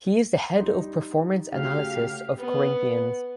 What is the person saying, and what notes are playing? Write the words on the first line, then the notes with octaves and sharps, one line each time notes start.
He is the head of performance analysis of Corinthians.
G3 D#4 C6
C#3 A3 F#4 G4 F5
B3